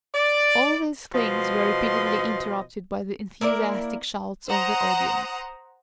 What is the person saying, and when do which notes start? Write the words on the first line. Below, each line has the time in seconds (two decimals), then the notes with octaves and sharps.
All these things were repeatedly interrupted by the enthusiastic shouts of the audience.
0.14 D5
1.13 B2 F3 D#5 C6
3.41 A#3 E4 A#4 D5
4.47 C5 F#5 A#5 D#6